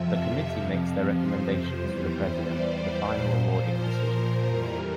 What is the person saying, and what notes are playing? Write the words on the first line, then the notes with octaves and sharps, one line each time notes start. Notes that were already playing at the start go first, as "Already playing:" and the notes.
The Committee makes their recommendations to the President for the final awarding decision.
Already playing: F2 C3 F3 E5
F2 C3 F3
C5
E2 E3 G3
D5
A#2 F3 C5
A#4
F2 E3 G3